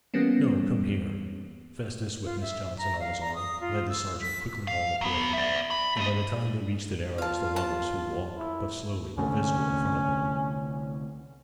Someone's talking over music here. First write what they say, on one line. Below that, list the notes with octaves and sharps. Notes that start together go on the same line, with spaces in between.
'No--come here.' Festus, with Miss Johnson on his arm, led the sergeant quickly along the parade, and by the time they reached the Narrows the lovers, who walked but slowly, were visible in front of them.
E3 G3 A#3 B3 C#4
F4
E5
A#5
F5
A#5
D#6
F4
E6
B6
F5
F#3 B3
D5 E5
B5
A3 D#5
F4 F5 A5
A5
E4
C2 D3 A3 C#4